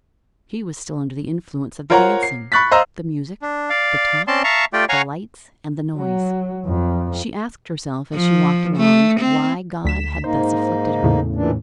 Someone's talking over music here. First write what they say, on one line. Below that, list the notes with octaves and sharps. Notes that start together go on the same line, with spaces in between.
She was still under the influence of the dancing, the music, the talk, the lights, and the noise; she asked herself as she walked along why God had thus afflicted her.
F4 A#4 C5 C#5 F#5 A#5
C7
B5 C#6 F#6 A6 B6
C5 D#5 F5 A#5 E6
D4
D5 F5
C4 C#4 D5 A5 C6
E5 F5 A5 A#5 C#6
A3 F4 G4 D5 G5
C#5 F5 F#5 G#5 A#5 C#6
F#3
F2
F3
A3
C4
D2 B6 E7
G#2 A#3 D#4 C5
E2 A2 C#3
A#2 E3 D4